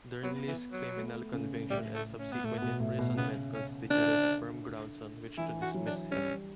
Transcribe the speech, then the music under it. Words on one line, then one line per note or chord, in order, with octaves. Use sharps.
Dernley's criminal conviction and subsequent imprisonment constituted firm grounds on which to dismiss him.
F#3 B3
E3
F#3
A3
C#3
A2 G3
A3
C#4
B3
A2 A3
B2 B3
A2
B2
C#3 B3
C#4
D3 D4
E3 E4
F#4
F#3
D4
G3 C#4